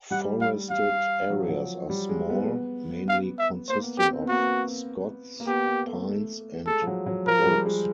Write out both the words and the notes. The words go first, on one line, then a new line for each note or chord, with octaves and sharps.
Forested areas are small, mainly consisting of scots pines and oaks.
G3 F#5
F5
G3 F5
F#3
F3
F#3
G3
G#3
B3
F5
E5
A#3 C5
B3
C4 G4
C4
B3
A#3 F#4
B3
A#3
B3 G4
A#3
A3
G#3 A4
F3
F#3
F#3
F3 A#4
G#3
G3
G#3